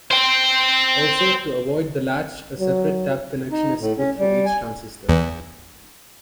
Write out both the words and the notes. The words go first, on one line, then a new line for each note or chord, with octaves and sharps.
Also to avoid the latch, a separate tap connection is put for each transistor.
C5 G5
F#3
D#4
A2
C#4
G3
G#5
E2